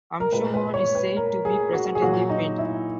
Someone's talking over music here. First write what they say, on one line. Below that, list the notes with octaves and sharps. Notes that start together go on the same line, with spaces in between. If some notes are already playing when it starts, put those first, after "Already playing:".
Amshuman is said to be present in the Wind.
A#4
A#2 G#3 B4
B4
C#5
B4
A#4
G#4
F#4
G#4
A#2 F#3 F#4
D#4
E4